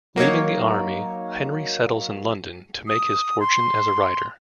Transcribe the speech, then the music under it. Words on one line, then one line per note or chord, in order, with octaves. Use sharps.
Leaving the army, Henry settles in London to make his fortune as a writer.
F#3 A#3 D#4 C#5
D#6
C6